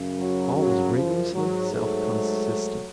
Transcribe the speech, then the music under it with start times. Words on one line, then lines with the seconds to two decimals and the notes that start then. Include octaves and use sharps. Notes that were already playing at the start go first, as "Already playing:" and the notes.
All was rigorously self-consistent.
Already playing: F#2 C#3
0.18 F#3
0.57 F#3
0.95 F3
1.32 G#2 F#3
1.70 F#3 A3